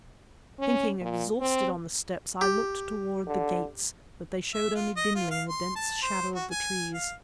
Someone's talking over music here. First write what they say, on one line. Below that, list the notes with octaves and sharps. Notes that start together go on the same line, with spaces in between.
Sinking exhausted on the steps, I looked toward the gates--but they showed only dimly in the dense shadows of the trees.
C#4
A#2
C4
G4
D3
E5
F4
D#5
F4
F5
C6
A5
C5
F#4
G#5
F5